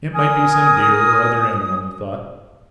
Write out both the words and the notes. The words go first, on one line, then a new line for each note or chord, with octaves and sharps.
It might be some deer or other animal, he thought.
A#4 G#5 D#6